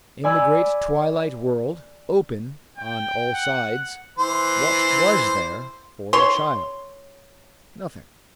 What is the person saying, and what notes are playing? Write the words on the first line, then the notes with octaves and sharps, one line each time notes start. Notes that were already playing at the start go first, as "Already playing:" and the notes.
In the great twilight world, open on all sides, what was there for the child? Nothing.
D5 G#5 B5 E6 G#6
G5
F#5
E3 C5
C#5 C6